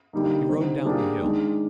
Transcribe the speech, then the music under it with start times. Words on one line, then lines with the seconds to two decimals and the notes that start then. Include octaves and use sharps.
He rode down the hill.
0.13 D3 G3 A#3 D#4
0.49 D3 G3 C4 D#4
0.85 G3 A#3 D4 G#4
1.21 D#3 G#3 D4